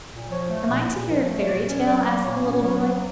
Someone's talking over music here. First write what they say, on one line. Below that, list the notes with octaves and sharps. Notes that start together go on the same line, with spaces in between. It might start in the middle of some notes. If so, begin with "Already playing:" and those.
"Am I to hear a fairy tale?" asked the little boy.
A#2
F3 C#5
A3
A#2
A#2
F3 A#4
A3
A#2 D5
C#4
F#3 D5
A#3
A#2 C#5
C#4
F#3 C#5
A#3